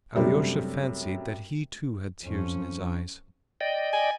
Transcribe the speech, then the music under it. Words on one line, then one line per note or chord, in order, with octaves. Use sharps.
Alyosha fancied that he too had tears in his eyes.
F#2 C3 G3 A3 C4 D4
F2 C#4
D5 D#5 G5
G#5